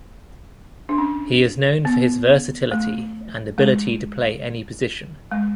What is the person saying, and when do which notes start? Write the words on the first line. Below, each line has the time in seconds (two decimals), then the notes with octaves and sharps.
He is known for his versatility and ability to play any position.
0.89 D4
0.98 C#4
1.85 B3
2.71 A3
3.58 G#3
5.31 G#3